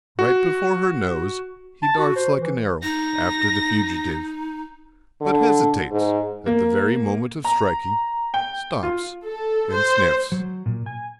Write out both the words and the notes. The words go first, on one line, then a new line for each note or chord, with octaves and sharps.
Right before her nose he darts like an arrow after the fugitive, but hesitates at the very moment of striking, stops, and sniffs.
F#4
A5
F#4
C5
E3
D#4 A#6
D3
G#2
A#3
A#5
G5
F4
A4
C5
F#3
A#2
G#5